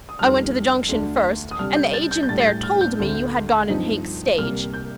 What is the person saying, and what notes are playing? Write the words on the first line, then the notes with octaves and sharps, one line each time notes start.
I went to the Junction first, and the agent there told me you had gone in Hank's stage.
D#6
F2 D#3 G3 D4 F6
D2 D3 A3 D4
D#6
C3 G3 D4 F6
G6
A6
G6
G6
A2 G3 D4 A6
A6
G6
F6
G6
D2 D3 A3 C4
G2 F3 C4 D#4
C2 C3 G3 A#3 F6
G6